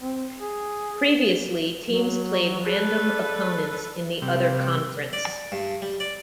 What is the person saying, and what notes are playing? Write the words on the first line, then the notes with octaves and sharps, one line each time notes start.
Previously, teams played random opponents in the other conference.
C4
G#4
F#3
G#4 A4 B4 D5
C3 G3
D5
G2
G3
D5